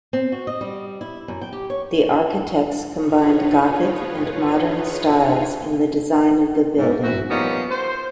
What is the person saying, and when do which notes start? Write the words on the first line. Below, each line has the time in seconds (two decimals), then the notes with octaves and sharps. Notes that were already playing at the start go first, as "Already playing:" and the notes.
The architects combined Gothic and modern styles in the design of the building.
0.13 C4
0.32 F#4
0.47 D#5
0.61 G3
1.01 E4
1.28 F#2
1.41 G5
1.53 G4
1.70 C#5
2.94 D#4 F4 G#4 B4 C#5
6.78 G#2
7.03 E3 C4 E4 F#4
7.30 F3 G3 A#3 B3 C#4 D#4
7.70 C5